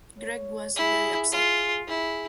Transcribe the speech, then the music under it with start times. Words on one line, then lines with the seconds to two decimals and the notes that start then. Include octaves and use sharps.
Greg was very upset.
0.19 C#5
0.76 E4 G#4
1.32 F4 G#4
1.87 E4 G#4